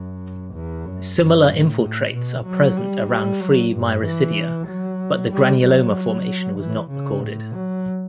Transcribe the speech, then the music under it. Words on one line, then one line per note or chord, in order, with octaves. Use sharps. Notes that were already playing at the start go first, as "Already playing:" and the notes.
Similar infiltrates are present around free miracidia, but the granuloma formation was not recorded.
Already playing: F#2
E2
F#2
F#2
A2
B2
F#3
G3
G3
F#3
G2
E3
F#3
G3
F#3
E3
C#3
A2
F#3